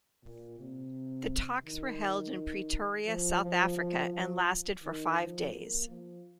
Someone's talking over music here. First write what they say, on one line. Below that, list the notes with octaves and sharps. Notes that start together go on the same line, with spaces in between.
The talks were held in Pretoria, South Africa and lasted for five days.
A#2
C3
D#3
F3
F3
F3
F3
D#3
F3
A#3
F3